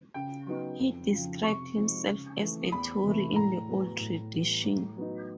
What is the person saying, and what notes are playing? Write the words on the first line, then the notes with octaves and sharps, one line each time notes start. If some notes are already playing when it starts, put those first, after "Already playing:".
He described himself as "a Tory in the old tradition".
C#3 G5
F#3 B3 D#4
F2
C#3 F3
C3 C#6
F3 G#3 C4 D#4
C#3
E3 A3
E2 B5
C3 E3 A3
A2 A#5
F#3 B3
A2
E3 G3 B3
A2
F#3 B3 D#4